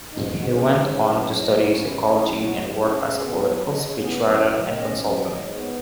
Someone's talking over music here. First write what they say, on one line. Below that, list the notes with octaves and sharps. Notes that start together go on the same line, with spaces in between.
He went on to study psychology and work as a political speechwriter and consultant.
G#2 D#4
G#2
F#4
C#4 G#4
G#2 B4
C#5
C#4
G#4
F#3 B4
G#2 C#5
D#5
G#2
C#5
C#4 C#5
G#2 B4
C#4 C#5
F#3 G#4
G#2 F#4
G#2
C#4
C#3 G#4
G#4
B3
G#4
F#3 C#5
C#3 B4
D#5
C#3
C#5
B3 G#4
F#2
F#3
B4
D#3
C#4 D#5
F#2
F#3
G#2 D#5
B3 C#5